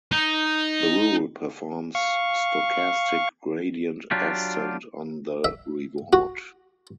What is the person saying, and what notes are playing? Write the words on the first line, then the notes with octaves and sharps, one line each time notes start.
The rule performs stochastic gradient ascent on the reward.
D#4
F5 C#6
F#3 D4 F4 G4
E5
F#4